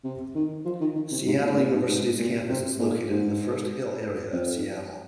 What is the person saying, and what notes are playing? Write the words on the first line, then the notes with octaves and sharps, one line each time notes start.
Seattle University's campus is located in the First Hill area of Seattle.
C3
D#3
F3
D#3
D#3
C3
G#2
A#2
G#2
A#2
G#2
G#2
A#2
C3
A#2
G#2
F2